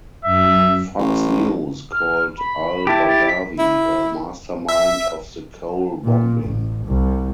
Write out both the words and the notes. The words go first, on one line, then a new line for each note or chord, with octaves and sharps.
"Fox News" called Al-Badawi a "mastermind" of the Cole bombing.
F#2 E5
A1
F6
B5
E4 G4 A5
A6
B6
E4
E5
A#2
A1
C2